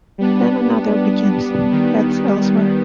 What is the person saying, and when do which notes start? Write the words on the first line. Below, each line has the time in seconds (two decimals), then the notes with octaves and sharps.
Then another begins - that's elsewhere.
0.18 G3 B3 D4
1.72 D#3 G3 B3